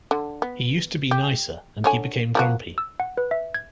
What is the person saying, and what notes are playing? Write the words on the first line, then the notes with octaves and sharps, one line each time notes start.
He used to be nicer and he became grumpy.
D3
B3
G4
D3 C#5 G#5
F3 A#3 F#4
E6
F#5
B4
E5
G#6